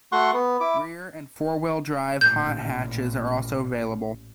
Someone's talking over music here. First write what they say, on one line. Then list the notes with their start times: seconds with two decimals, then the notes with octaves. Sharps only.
Rear and four-wheel drive hot hatches are also available.
0.12 A3 F#4 F#5 C6 C#6
0.33 B3
0.60 E4 D6
2.21 A1 A#2 G6